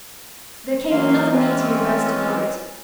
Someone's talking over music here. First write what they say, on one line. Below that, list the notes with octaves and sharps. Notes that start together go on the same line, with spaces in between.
There came another meteor burst of light.
E3 F#3 A#3 F5 C6
E3 G#3 C4 C#4 F4